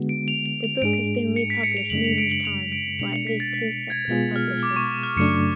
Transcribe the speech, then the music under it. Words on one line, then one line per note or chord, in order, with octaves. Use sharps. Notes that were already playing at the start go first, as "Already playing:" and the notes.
The book has been republished numerous times, by at least two separate publishers.
Already playing: D3 G#3 B3 F#4
D7
F7
F7
F7
G#2 G#3 D4 G#4 D7
C#7
B6
C#7
F7
F#2 C#3 G#3 D4 F#7
F7
D7
F#7
F7
D7
B2 G#3 D4 F7
C#7
B6
A6
B6
G#6
B2 G#3 B3 F4 G#4
F6
D6
C#6
F6
F#2 C#3 F#3 A3 D4 C#7